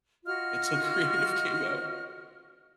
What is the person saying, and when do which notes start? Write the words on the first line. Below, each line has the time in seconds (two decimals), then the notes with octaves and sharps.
until Creative came out.
0.25 F4 F#4 D#5 F6